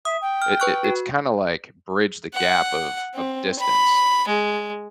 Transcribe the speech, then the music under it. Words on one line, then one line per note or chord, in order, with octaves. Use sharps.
it it it's kinda like bridged the gap of of distance,
E5 D#6
G5
F6
B4 C#6 F#6
F#4
F#5
C4
B5
G#3